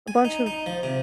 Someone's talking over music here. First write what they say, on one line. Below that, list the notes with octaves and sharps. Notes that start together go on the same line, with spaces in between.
a bunch of
G#5
D#4
D#4
F3
C3